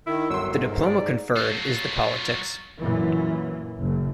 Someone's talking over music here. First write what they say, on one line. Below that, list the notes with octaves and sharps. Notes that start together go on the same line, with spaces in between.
The diploma conferred is the Politics.
D#3 E4
G1 F#3 C6 E6
G#2
A#4
D5
F#3 F4
F#2 A#2 E3
F#1